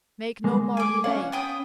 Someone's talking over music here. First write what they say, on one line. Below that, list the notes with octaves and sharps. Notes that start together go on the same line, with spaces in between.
Make no more delay!
G#3 A#3
G#5 D6
C#4 C#5 F5 F#5
B3 G5 D#6